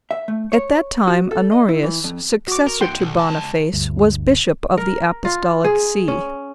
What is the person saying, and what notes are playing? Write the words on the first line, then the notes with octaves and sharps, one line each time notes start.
At that time Honorius, successor to Boniface, was Bishop of the Apostolic see.
E5
A3
C#5
F#4
A4
D#5
E4
E3
F2
F#4 D6
A#4
G2 E3 F#5 G5 C6
B1
C#2 A5
D2 G2
A#4
F4
G#4
C#4